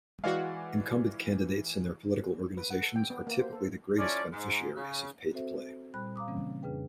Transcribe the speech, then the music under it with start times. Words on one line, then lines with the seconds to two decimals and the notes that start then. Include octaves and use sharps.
Incumbent candidates and their political organizations are typically the greatest beneficiaries of Pay-to-Play.
0.24 E3 G#3 F#4 D5 F5
2.57 B4
2.70 F#5
2.82 A4
2.96 G5
3.10 B3
3.27 A#3
3.40 C5
3.53 A4
3.97 F3 A3 C#4 E4 D5
4.33 G#2
4.75 C#3
5.33 C4 F#4 A4 C5 E5
5.94 A#2 G3 C5 B5 F#6
6.16 F5 A#5 D6 D#6
6.28 C#3 E3 G3 A#3 C4 C#4
6.63 F2 C#3 D4 G#4 B4 G5